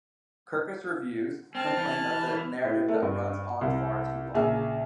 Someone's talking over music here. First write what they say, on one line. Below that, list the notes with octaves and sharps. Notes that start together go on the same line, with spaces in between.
Kirkus Reviews complained that the "narrative that runs on far too long".
C4 A5 F6
E3
A2
A3 A#4
G2
C2
A#1 C#3 E5 F6